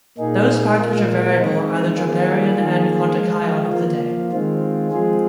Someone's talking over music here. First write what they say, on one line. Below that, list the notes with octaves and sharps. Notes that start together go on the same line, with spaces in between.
Those parts which are variable are the Troparion and Kontakion of the day.
A#2 A#3 D#4 G#4
A#2 G#3 F4 A#4
G#3 C4 D#4
D#3 A#3 F4 G#4
D#3 A#3 F4 G#4
F3 G#3 F4
F3 A#3 F4
D#3 G#3 C4 F4
F3 G#3 C4 F4 G#4